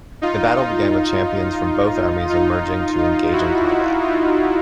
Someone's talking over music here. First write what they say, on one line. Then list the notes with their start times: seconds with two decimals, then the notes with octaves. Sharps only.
The battle began with champions from both armies emerging to engage in combat.
0.22 D#4 F4
0.57 D#4 F4
2.30 D#4 F4
2.98 D#4 F4
3.33 E4 F#4
3.68 E4 F#4
4.01 D#4 F4